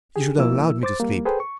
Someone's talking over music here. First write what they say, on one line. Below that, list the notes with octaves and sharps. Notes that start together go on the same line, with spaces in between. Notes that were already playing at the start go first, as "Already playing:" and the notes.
You should have allowed me to sleep.
G4 G#4
B2 F3 A#3 E4 E6
C5 D6 A6
G3 A#3
G#4 A4 B4 C5 G5
C#6